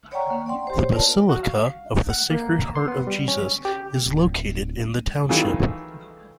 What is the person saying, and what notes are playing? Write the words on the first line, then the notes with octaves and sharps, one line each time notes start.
The Basilica of the Sacred Heart of Jesus is located in the township.
C#5 D5 F#5 G5 A#5 C#6
A#3
D5 F#5 G5 C6
G4 C5
C#5
B3 F4 A#4 C#5 D5 A5
F#4
F5
F#5
A#3
C6
B3
G3
C#4
G4
D1
D#3 E3 F#3 A3 F4 G#4